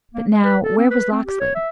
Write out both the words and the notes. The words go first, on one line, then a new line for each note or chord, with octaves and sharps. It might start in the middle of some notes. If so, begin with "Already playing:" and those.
"But now, where was Locksley?"
A#3
G#3
B4
A4
C4
B4
C4
G4
C#5
E5